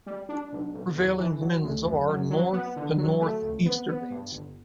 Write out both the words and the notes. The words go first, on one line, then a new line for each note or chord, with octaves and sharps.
Prevailing winds are north to north-easterlies.
G3
D4
B1
B1
E2
E3
F#3
D2
F#2
F#2
F#3
B3
D3
F#3
A3
C#2
B3
B3
G2
G1